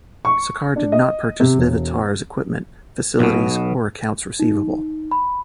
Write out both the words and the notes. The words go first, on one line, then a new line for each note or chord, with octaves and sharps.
Sakar did not purchase Vivitar's equipment, facilities or accounts receivable.
C#6
D4
D#5
C3
E1
B1 B2
D#4
B5